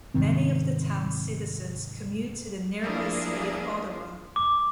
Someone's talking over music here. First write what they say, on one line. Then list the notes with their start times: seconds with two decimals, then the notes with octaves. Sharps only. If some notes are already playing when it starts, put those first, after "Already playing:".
Many of the town's citizens commute to the nearby city of Ottawa.
0.14 C2 G#2 D#3 C4
2.83 F3 A#3 D4 E4 G#4 A#4
4.36 D6